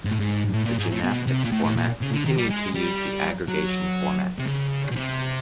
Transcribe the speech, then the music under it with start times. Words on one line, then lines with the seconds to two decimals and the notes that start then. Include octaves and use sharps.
The gymnastics format continued to use the aggregation format.
0.05 G#2
0.12 A2
0.19 G#2
0.53 A2
0.66 A#2
0.78 G#2
0.91 A2
1.03 B2
1.27 C3
1.45 A#2
1.52 A2
1.64 A2
1.77 A#2
2.01 C#3
2.14 D3
2.25 D#3
2.38 G3
2.50 G#3
2.75 G3
3.48 F#3
4.38 C3
4.47 C#3
4.91 B2
4.96 C3